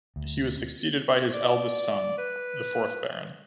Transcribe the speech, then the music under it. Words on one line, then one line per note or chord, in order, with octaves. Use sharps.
He was succeeded by his eldest son, the fourth Baron.
D2
D5
B4